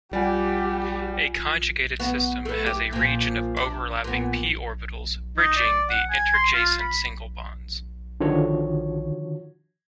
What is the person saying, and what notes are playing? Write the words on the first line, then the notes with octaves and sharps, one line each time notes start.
A conjugated system has a region of overlapping p-orbitals, bridging the interjacent single bonds.
G3 F4 G4 F#5 G#5
B3 F#4
A3 B3
G4
A#2 F3
D4
A#2 B3
D#4
D5
F#5
G#5
C6
F4
B5
D3 D#3 F3 F#4 C#5